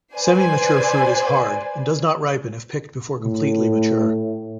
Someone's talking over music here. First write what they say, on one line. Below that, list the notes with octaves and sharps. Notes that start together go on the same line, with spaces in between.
Semi-mature fruit is hard and does not ripen if picked before completely mature.
B4 C5 D5 G#5
A2